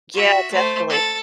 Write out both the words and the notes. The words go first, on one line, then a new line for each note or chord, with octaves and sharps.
Yeah. Definitely.
F#4 E5
A3 C5
A4